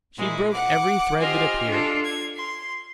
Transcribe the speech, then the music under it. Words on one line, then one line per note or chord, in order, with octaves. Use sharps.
She broke every thread that appeared.
A#2 G#3 E4
F#5 D6
F4 G4 C5 D#5 G#5 F6
D4 F4 A4
G#6
C6